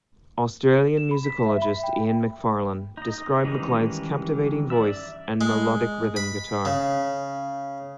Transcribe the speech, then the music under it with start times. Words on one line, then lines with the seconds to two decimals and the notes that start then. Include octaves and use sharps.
Australian musicologist, Ian McFarlane, described McLeod's captivating voice and melodic rhythm guitar.
0.97 E7
1.11 B5
1.24 B6
1.46 E5
1.62 B5
1.83 G5
2.97 D#4 D#5
3.44 D#3 E3 G3 G#3 C#4
4.70 D5 E5 E6
5.41 G#3
6.16 B5
6.65 C#3